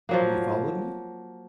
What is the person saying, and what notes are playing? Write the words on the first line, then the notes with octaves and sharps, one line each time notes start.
Have you followed me?
F3 F#3 A#3